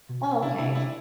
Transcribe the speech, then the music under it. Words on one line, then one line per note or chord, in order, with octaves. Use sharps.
Oh, okay.
B2
C3 D4 E4
C3 D4 E4
D4 E4